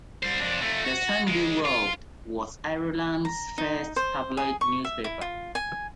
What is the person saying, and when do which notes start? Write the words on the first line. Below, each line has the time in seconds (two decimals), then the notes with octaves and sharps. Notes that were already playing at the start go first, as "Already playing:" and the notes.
The "Sunday World" was Ireland's first tabloid newspaper.
0.23 G3 C5
0.39 F2 D4
0.61 F2 A3
0.84 F#4
1.28 C#3 G#3
1.65 F4
3.25 A#5
3.58 D#4
3.96 C5
4.37 G#4
4.61 C#6
4.84 E5
5.04 E4
5.21 F4
5.55 G#5